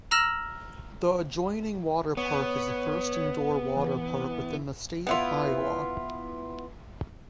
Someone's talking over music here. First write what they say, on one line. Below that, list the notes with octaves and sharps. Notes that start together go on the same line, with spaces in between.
The adjoining water park is the first indoor waterpark within the state of Iowa.
A#5 E6 F6 A#6 E7 F#7
B3 C#5
E3
B3 E4 F4